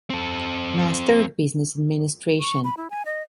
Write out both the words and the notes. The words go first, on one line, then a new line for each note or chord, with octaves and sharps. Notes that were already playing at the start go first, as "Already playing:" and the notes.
Master of Business Administration.
C4 A4
C#6
B5
E4
G#5
D#5